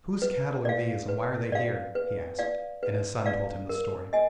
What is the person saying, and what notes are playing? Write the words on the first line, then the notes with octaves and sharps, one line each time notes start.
'Whose cattle are these, and why are they here?' he asked; and his son told him the story.
B4
D5 F5
B4
D5 F5
B4
D5 F5
B4
D5 F5
A#4
D#5 G#5